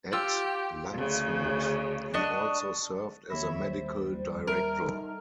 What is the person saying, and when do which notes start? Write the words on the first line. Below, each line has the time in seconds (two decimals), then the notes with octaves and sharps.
At Landshut, he also served as a medical director.
0.13 F4 G4 E6
0.93 D2 C#3
2.14 D4 F#4 D#5
3.30 D#2 C#5 E5 B5 A#6
3.62 G3 C5
4.47 A#4 E5
4.82 D#4 A4